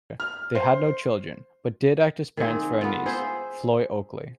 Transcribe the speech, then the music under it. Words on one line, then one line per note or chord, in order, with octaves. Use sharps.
They had no children, but did act as parents for a niece, Floy Oakley.
F6
C5
D#3 A#3 C4 G#4
B3 F4
G#4 C5 E5